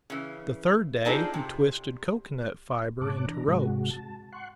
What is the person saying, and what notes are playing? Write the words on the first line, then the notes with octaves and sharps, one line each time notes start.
The third day he twisted cocoanut fiber into ropes.
C#3 E3
C4 D4 D#4 F4 G#4 A4
C3
G#2 B2 C#5 A5 D6 F#6
E3 D4 A#5
G#2 C3 G#3 F#4
A5
F#5 C6 C#6 F#6